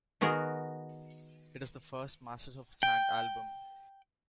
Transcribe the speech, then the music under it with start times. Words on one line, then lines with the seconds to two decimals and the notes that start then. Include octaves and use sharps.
It is the first "Masters of Chant" album.
0.21 D#3 B3 F#4 G#4 A#4
2.83 G5